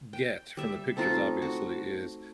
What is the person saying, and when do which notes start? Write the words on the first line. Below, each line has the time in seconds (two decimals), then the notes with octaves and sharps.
get from the pictures, obviously is,
0.13 G5
0.57 G3 E5
0.97 A3 C4 D#4 F4
1.42 F#4